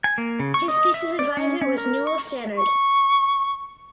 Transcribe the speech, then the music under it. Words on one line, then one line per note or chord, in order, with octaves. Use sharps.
His thesis advisor was Newell Stannard.
G#5
A#3
C#3
C#6
D#5
E5
D5
C#4
C#4
A#4
C#6
C#6